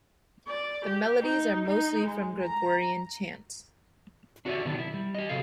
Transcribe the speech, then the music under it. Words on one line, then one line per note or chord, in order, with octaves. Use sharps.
The melodies are mostly from Gregorian chant.
D5
G4
D#4
D#4
G#3
A#5
D4 F#4 G4 A#4 D5 E5
B2 D3 D#3 F#3 B3 D4
E4
G3
G4 D#5
C3 F#3 A4 F5